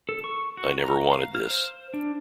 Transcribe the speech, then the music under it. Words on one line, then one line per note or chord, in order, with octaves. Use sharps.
'I never wanted this'.
A4
C#6
F#4
A#5
F5
F6
C5
D4